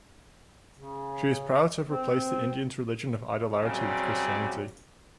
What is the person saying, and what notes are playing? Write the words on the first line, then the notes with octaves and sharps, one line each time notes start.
She is proud to have replaced the Indians religion of idolatry with Christianity.
C#3
C4
F#2 C#3 F#3 G3 C4